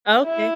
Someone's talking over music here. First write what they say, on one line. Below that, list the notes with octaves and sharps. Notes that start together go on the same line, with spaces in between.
Oh, okay.
E4